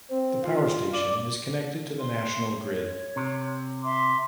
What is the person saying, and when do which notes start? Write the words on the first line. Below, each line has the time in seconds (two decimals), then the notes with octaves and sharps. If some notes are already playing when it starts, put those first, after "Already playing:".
The power station is connected to the national grid.
0.10 C4
0.44 F4
0.94 D5
1.98 C6
2.58 C#5
3.16 C3
3.83 E5 C6 D6